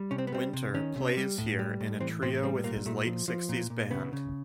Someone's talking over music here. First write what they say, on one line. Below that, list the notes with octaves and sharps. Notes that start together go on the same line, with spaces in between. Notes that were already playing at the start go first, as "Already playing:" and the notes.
Winter plays here in a trio with his late-sixties band.
Already playing: G3
C3 C#4
C4
B3
G3 C4
C3
D#3 C#4
C3
G3
A2
G3
A2
E3 C4
A2 C4
G3 C4
A#2 A#3
A#2 A3
F3
F3
A#2
A#2
C#3 B3
C#3